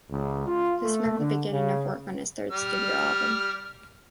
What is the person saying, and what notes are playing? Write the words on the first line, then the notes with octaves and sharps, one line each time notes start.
This marked the beginning of work on his third studio album.
C#2
F4
A3
D3
C#3
G3 F6